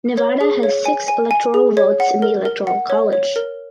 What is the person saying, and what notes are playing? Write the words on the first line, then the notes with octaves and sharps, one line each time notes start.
Nevada has six electoral votes in the Electoral College.
C#5
G#4
C#5
G#5
G#5
G#5
G#4
C#5
F#5
A#4
A#4
F#5
C#5
C#5
A#4